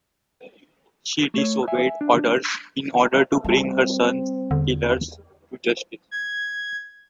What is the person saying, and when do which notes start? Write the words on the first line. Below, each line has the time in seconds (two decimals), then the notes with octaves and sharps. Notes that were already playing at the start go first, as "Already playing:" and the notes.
She disobeyed orders in order to bring her son's killers to justice.
1.34 A3 C#5
1.68 E5 G#5
2.01 D4
3.44 G3 C4
4.51 E2 D3
6.11 G#6